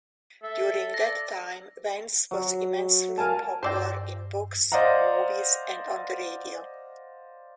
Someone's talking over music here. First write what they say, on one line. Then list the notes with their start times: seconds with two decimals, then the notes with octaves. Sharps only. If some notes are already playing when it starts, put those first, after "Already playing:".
During that time, Vance was immensely popular in books, movies, and on the radio.
0.43 A4 E5
0.94 D5 A#6
2.31 F#3
3.18 A#4 F5 G#5 A5
3.63 G2 C5 D5 G5 E6 A#6
4.72 C5 D5 D#5 F5 F#5 A#5